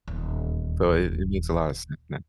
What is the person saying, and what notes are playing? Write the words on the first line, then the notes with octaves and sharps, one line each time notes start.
So, it it makes a lot of sense now.
D#1 E2